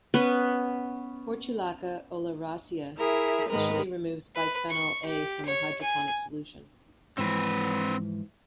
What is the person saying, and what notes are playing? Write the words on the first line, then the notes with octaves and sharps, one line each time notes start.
"Portulaca oleracea" efficiently removes bisphenol A from a hydroponic solution.
B3 C#4 B4
E4 G#4 A#4 E5
G#2 D#3 G#3 A#4 B4
B4
C#6
G4
C#5
G#5
G#2 E3 F3 C4 B4